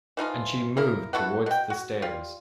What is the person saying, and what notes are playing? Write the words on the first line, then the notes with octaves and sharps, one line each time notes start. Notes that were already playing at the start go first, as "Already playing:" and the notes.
And she moved towards the stairs.
E3 F3 D#4 F4
A#3 E4 A#4
B3 E4 F#4 A4
B2 G5
F#4
G3 F4